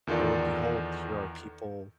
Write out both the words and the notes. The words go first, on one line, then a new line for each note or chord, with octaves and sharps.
lo and behold, here are people,
E2 D#3 F4 A4 D5